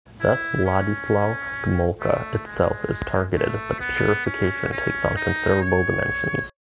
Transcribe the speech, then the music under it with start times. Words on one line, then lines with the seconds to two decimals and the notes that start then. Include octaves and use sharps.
Thus Władysław Gomułka itself is targeted but the purification takes on considerable dimensions.
0.20 E4
0.65 C#4
2.00 A3
2.46 G#3
3.36 A3
3.80 B3
4.26 C#4
4.71 C#4
5.16 D#4
5.62 C#5